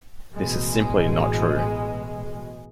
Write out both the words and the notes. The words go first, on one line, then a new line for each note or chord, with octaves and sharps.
This is simply not true.
A1 B2 G#3